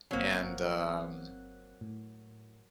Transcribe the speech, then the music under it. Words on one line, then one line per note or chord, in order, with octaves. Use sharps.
and, um
G1 F#3 A#3 C4 F#6
A2